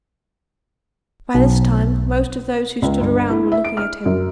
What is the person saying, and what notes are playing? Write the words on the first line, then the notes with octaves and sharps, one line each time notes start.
By this time most of those who stood around were looking at him.
B1
C#2
G1
E4
E5
D7
F6
F#2